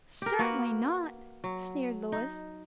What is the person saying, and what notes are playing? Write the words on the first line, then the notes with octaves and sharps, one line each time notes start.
"Certainly not," sneered Louis.
G4 A#4
A#3 F#4 B4 F#5
F#3
D#4